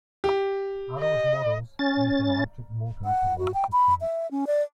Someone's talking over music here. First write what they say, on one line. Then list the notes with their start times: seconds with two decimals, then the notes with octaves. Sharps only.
Arrow's models used an electric motor to launch the train.
0.24 G4
0.99 D#5
1.79 C#4 A6
3.05 F#5
3.39 F#4
3.54 G5
3.72 B5
4.01 E5
4.31 C#4
4.47 D5